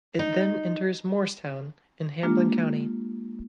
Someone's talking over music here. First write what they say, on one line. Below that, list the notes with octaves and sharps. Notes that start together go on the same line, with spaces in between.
It then enters Morristown in Hamblen County.
D#4
G#3 A#3 D4 F4 G4